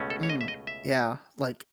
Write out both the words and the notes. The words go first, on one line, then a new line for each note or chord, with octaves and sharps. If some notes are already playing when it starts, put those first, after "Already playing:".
Mm, yeah, like
Already playing: C#2 B2 A3 C#4
A4
C#5
D#5
E5
D#5
E5